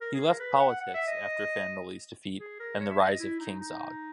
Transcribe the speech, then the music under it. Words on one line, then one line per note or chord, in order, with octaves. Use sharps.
He left politics after Fan Noli's defeat, and the rise of King Zog.
A#4
G#4
A#4
B4
F#5
F#5
E5
D#5
G#4
A#4
C#5
E5
D#5
E4
D#4
D#4